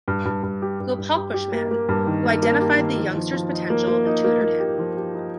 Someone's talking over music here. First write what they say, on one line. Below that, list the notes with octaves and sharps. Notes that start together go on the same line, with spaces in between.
Gopalkrishnan, who identified the youngster's potential and tutored him.
G2
G2
G2
G4
G2
G2
G4
G4
A#3
A#3
G2
D#3
A#3
A#3
G4
D#3
F3
F3
F3
D#4
A#3
A#3
D#4
A#3
A#3
G4
F3
G4
D#4